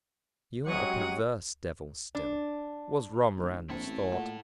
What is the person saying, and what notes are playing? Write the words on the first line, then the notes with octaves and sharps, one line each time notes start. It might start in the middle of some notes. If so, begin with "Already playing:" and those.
"You're a perverse devil still," was Romarin's thought.
F#3 G#3 C#4 G4 F#5 C#6 D#6
D4
D1
A#1 C4 E4 A4
A1
A#2 A3 F#5